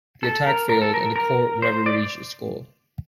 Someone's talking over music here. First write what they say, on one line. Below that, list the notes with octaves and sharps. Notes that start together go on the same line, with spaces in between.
The attack failed and the corps never reached its goal.
A4
A#4
A#4
A4
A#4
A#4
C5
D5